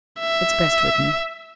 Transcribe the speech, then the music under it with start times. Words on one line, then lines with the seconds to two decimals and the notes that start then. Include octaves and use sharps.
"It's best with me."
0.20 E5